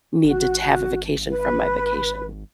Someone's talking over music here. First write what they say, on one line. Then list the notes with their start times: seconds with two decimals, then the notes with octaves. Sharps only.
need to to have a vacation from my vacation.
0.24 G#1 F#4
1.30 B4